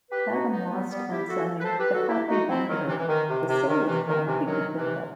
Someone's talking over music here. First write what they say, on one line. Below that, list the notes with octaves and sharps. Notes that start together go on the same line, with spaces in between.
Badham lost and sang "The Happy Wanderer", the silliest song he could think of.
G4 B4
D#4 F#4
B3 D#4
G3 B3
G3 B3
E4 G4
F#4 A4
B4
A4 C5
G4 B4
F#4 A4
E4 G4
D#4 F#4
C4 E4
D#3 F#3
C3 E3
E3
D#3
C3
C3
D#3
C3 E3
D#3
C3 E3
D#3 F#3
C3 E3